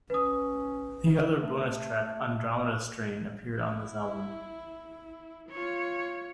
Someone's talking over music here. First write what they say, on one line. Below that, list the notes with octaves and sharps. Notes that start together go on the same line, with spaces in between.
The other bonus track, "Andromeda Dream", appeared on this album.
C#4 B4 D#6
A3
E4
F4 C#5